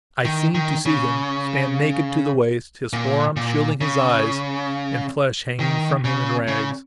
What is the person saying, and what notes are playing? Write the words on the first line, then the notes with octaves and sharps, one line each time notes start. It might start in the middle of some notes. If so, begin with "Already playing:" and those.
I seem to see him stand, naked to the waist, his forearms shielding his eyes, and flesh hanging from him in rags.
D#3
D#3
C#3
A#2
A#2
C#3
D#3
C#3
C#3